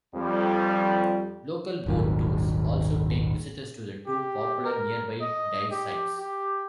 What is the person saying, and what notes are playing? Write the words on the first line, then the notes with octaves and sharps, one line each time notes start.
Local boat tours also take visitors to two popular nearby dive sites.
F2 G3
D#1 G#1 D#3 F#3
G4
A#4
D#5
G4
G4